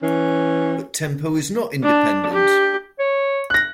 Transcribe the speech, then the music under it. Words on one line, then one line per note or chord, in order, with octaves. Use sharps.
But tempo is not independent!
E3 C#4
D4
G4
C#5
F#6 A#6